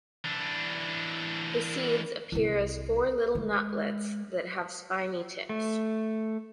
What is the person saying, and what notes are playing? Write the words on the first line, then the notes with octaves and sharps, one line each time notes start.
The seeds appear as four little nutlets that have spiny tips.
E3 D4
C2 E4
G#3
A3